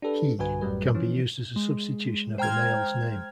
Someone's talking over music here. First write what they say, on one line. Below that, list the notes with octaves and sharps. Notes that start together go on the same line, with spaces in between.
"He" can be used as a substitution of a male's name.
D4 G4 A4 B4
B1 G2 D3 F#4 B4 G#5
A1 F#2 A2 F#3 G3 B4
E3 F3 C#4
G#3
C5 G5 A#5 F6 G#6